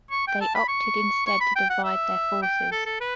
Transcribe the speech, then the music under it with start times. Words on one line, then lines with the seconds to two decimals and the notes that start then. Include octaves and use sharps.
They opted instead to divide their forces.
0.11 C#6
0.27 G5
0.41 A5
0.55 B5
0.68 C#6
1.26 C#6
1.41 B5
1.55 G5
1.70 F#5
1.84 E5
2.42 G5
2.71 A4
2.86 A4
3.00 B4